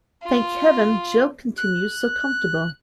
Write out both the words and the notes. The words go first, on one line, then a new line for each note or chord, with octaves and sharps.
Thank Heaven Jill continues so comfortable.
F4
F#6